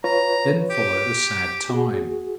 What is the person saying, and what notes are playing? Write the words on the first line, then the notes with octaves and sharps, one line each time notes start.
Then followed a sad time.
F4 B4 C#5 A#5
G4
F#4 G#4